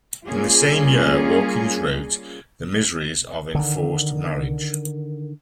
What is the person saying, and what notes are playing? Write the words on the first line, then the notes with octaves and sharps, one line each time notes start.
In the same year Wilkins wrote "The Miseries of Enforced Marriage".
G3 A#3 C#4 F4 G#4
D3 D#3